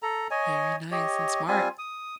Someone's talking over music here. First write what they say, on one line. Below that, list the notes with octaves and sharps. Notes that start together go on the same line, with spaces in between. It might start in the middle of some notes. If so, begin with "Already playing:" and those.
Very nice and smart.
A4 A#5
C#5 D#5 G#5
G4 C#5 D#5
G3 C4 F4 G#5
D#6